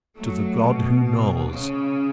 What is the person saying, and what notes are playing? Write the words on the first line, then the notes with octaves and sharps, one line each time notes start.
To the god who knows.
F#3 A3
B2
C#3